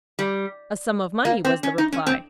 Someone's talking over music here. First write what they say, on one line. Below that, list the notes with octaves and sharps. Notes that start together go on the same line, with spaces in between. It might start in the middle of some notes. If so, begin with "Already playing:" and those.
"A sum of money," was the reply.
G3
A#3
C4
C#4
D#4
C#4
C4